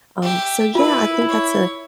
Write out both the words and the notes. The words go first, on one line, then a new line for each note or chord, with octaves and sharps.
Um, so yeah, I think that's a
G4 E5
E4 F4 A#4 B4
C#5